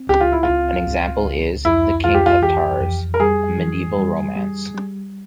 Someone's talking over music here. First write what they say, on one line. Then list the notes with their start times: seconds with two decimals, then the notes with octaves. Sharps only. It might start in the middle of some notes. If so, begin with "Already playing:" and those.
An example is in "The King of Tars", a medieval romance.
Already playing: C4
0.09 C#2 G4
0.21 F4
0.32 E4
0.43 F4
0.49 C#2
0.87 C#2
1.25 C#2
1.65 F2 E4
2.04 F2 F4
2.14 G4
2.26 F4
2.42 E3 G4
2.80 F2
3.14 A#4
3.19 G3 G#4
3.58 E3
3.97 G3
4.36 G3
4.74 G3